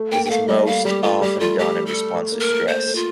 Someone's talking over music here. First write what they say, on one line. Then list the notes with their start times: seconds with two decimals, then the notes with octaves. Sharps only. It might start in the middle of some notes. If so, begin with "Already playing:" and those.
This is most often done in response to stress.
Already playing: A3
0.12 A#3 G5
0.25 G5
0.31 A3 F5
0.48 G3 D#5
0.66 A3 F5
0.85 G3 G4
1.03 A3 F4
1.21 G3 G4
1.40 A3 F4
1.58 A3 G4
1.86 A4
2.13 A3
2.32 A#3
2.40 A#4
2.50 A3
2.68 A3 C5
2.86 A3
2.95 F4